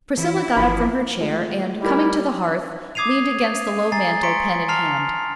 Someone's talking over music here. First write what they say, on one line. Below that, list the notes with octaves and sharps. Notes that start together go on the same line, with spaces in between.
Priscilla got up from her chair, and, coming to the hearth, leaned against the low mantel, pen in hand.
E3 E4
G1 E3 F3 B5
G#3 A3 F4
G3 D#4 E4 G4 A#4
D6 D#6 G#6 C7 D#7 F7
G#5 A#5 A6 C7
A#5 C6 C#6 B6 C#7 D7
A5 A#5 C6 F6 C7 F7